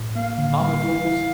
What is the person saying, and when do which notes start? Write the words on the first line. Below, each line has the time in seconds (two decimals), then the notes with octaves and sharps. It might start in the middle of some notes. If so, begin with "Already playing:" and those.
Marble floors.
Already playing: A2
0.15 A#3 F5
0.38 D3
0.61 G3
0.83 E4
1.05 E4